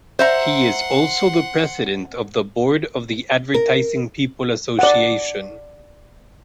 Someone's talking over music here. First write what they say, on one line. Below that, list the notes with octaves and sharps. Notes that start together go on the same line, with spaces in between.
He is also the president of the board of the Advertising People Association.
C5 E5 F#5 A#5 C6
A#4
D5 F#5